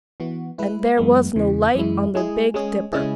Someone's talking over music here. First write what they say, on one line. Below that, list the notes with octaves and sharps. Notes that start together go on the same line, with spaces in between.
And there was no light on the Big Dipper!
E3 B3 F#4
G#3 E4 B4
F#2 E3 G#3 B3
E2 C#3 E3
F#2 E3 G#3 E4
G#3 E4 G#4
G#3 C#4 G#4
C#3 G#3 C#4 E4 G#4